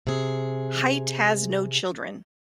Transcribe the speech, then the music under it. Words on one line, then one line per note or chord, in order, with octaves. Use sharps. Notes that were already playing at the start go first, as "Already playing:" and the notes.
Hite has no children.
C3 G#4